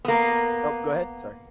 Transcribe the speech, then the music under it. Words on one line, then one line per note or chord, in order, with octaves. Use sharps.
Oh, go ahead, sorry.
A#3 B3